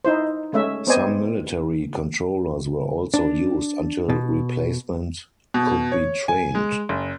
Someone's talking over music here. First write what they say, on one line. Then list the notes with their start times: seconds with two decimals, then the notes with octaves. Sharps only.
Some military controllers were also used until replacements could be trained.
0.05 D#4 E4 C5
0.53 G#3 A3 C#4 E5
0.87 B3 C4 C5 D5 D#5 G#5
3.14 D4
4.09 B2
5.54 B2
5.92 C#5
6.28 G#5
6.55 G#3
6.89 F#1